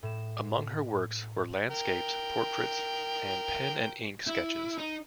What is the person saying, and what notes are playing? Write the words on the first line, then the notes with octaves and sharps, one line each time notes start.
Among her works were landscapes, portraits and pen and ink sketches.
A2 E7
A#4 G5
E4
D#4